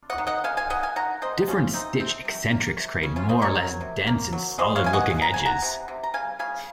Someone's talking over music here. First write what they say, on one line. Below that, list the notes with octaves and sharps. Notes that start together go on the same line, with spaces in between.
Different stitch eccentrics create more or less dense and solid-looking edges.
D#5 F#5
D#3
D#5 F#5
G#3 F5 G#5
F5 G#5
D#3 D#5 F#5
F5 G#5
D#3 F#5 A#5
A#3 C5 D#5
F3 C#4 F4
C3 C4 D#4
C3 C4
C3
A#3
C3
C#3 C#4
C#4 F4
C#3 C5 D#5
A#4 C#5
F#3
C3
A#3
F#3
G#3 C5 D#5
C#5 F5
G#3 G#5
D#5 F#5
G#3
A#5
C#3 G#5
F#5 A#5
C3
C3
A#5
C#3 F5 G#5
C#3 F5 G#5